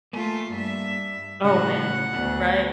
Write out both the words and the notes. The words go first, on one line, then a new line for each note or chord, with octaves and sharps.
Oh, man. Right.
A3 A#3 F4 G#5
G2 E5
A2 C#3 F#3 F#4 F#5
D2 F#3 A3 B3